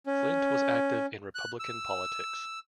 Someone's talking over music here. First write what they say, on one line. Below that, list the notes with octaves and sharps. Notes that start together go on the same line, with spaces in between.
Flint was active in Republican politics.
C#4
F#6
E6